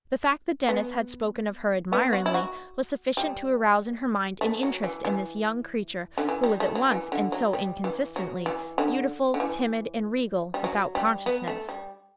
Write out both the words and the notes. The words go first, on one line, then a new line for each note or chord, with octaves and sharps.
The fact that Denis had spoken of her admiringly was sufficient to arouse in her mind an interest in this young creature, who was at once, and so inconsistently, beautiful, timid, and regal, without consciousness.
B3
B3
F#4
E4
F#4
G3
A3
F#3
E3
E3
D3
E3
G3
A3
F#3
E3
D3
F#3
G3
E3
F#3
E3
D3
D3
E3
G3
F#3
G3
B3
A3
G3